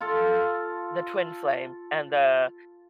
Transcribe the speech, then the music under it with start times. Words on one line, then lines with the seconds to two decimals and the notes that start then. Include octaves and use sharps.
the twin flame, and the
0.01 F4 A4